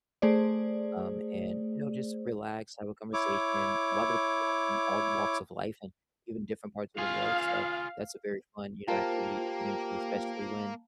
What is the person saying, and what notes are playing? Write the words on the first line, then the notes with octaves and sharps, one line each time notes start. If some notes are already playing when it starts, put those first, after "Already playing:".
um, and, you know, just relax, have a conversation, a lotta the people are from all walks of life and even different parts of the world, so that's a very fun, you know, activity to get into, especially when,
A3 G#4 C5 D5
E4 C#5 D6
F4 G#4 F5
A#3 F4 G4 A#4 C5 F5 A5 A#5